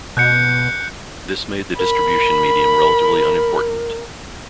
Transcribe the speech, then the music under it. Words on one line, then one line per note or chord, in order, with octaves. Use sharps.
This made the distribution medium relatively unimportant.
B2 F#6 G6 C#7
A#4 B5